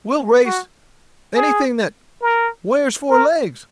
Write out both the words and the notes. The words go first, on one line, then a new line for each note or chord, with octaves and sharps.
We'll race--anything that--wears four legs.
F#4
G#4
A#4
A#4